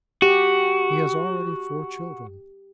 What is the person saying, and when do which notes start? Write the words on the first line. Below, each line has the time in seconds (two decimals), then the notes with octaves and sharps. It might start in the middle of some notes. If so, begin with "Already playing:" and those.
He has already four children.
0.22 F#4 G4